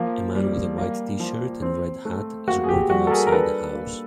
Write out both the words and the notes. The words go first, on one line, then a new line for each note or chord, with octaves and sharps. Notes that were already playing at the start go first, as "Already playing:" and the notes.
A man with a white tshirt and red hat is working outside a house.
Already playing: F3 A#3
G3
A#3
F3
C4
A3
A#3 F#4
G#4
G4
G3 F#4
A4
G#4 A#4
A#4
D4 A4 B4
A#3